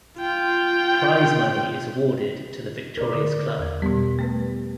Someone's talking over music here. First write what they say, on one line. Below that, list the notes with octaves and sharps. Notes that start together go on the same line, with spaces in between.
Prize money is awarded to the victorious club.
F4 G5
A#4 D5
D3
E2 G#6
B2 G3 B3
A3 B3 B4